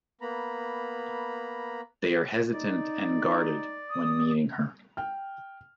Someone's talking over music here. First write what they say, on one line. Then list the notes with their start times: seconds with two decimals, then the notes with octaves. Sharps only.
They are hesitant and guarded when meeting her.
0.21 A#3 B3 A#5 B5
2.53 D#4 D5
3.89 D#6
4.97 G5 F6